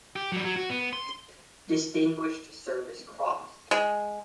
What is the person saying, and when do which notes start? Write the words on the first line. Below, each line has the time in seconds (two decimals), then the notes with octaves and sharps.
Distinguished Service Cross.
0.16 G4
0.32 F#3 G3
0.45 F#3
0.56 F#4
0.69 B3
0.93 C6
3.71 G#3